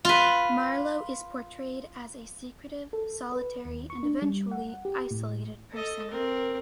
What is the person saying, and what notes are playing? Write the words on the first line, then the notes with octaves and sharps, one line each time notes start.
Marlowe is portrayed as a secretive, solitary and eventually isolated person.
F4 B4
A4
B4
D#2
C#6
D4
G3
F#5
G4
A2
A4 D#5
C4 A#4